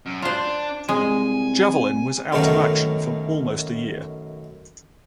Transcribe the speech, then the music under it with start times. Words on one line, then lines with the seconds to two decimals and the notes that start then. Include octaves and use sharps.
"Javelin" was out of action for almost a year.
0.06 F#2
0.22 D4 F4 C5
0.89 C2 G#3 G#5
2.33 F#2 B2 D#3 A3 C#4